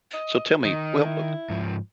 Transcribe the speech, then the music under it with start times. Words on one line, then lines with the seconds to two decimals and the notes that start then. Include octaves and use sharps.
So, tell me well, oh
0.14 D#5
0.65 D#3 D#5
1.05 E4
1.50 G#2 F3